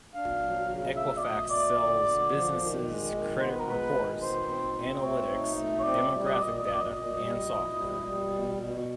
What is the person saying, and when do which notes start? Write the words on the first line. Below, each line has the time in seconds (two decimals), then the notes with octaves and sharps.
Equifax sells businesses credit reports, analytics, demographic data, and software.
0.14 D4 F5
0.42 F#3
0.69 C#3
0.96 A3 E5
1.17 D5
1.23 A3 D#5
1.50 A3 D5
1.77 D3
2.04 D3
2.31 F3
2.59 D#3
2.86 G#3
3.13 D#3
3.40 B3 C5
3.49 B4
3.60 A#4
3.67 G#3 B4
3.95 D#3
4.21 D#4 C5
4.48 C4
4.75 C4
4.97 C5
5.02 A3 C#5
5.30 D#4
5.57 A3
5.79 C#5
5.84 C4 D5
6.11 G3
6.25 D#5
6.33 D5
6.39 A#2 D#5
6.65 A#2 D#5
6.72 D5
6.80 D#5
6.93 A#2
7.19 G3
7.47 E4
7.74 G3
8.01 G3
8.28 B2
8.55 B2